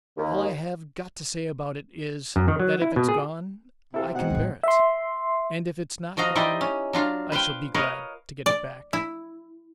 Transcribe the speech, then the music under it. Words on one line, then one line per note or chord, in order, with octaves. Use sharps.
'All I have got to say about it is, that if it's gone, I can bear it; and if it's not gone, I shall be glad to get it back.'
D#2
F#2
D#3
F#3
E4
B2
G#4
C3 E4 A4 F5
G#2 B2 C4 D#4 F#5
E2 A2
E5 C6
F3 F#4 D#5 F5 A#5
D#4 E4 G4 C5 D5 D#5
C#4
F#3 D4 F4 F5
B4 C5 F5 G5
A#4 B4 C#5 D#5 F5
D5
E4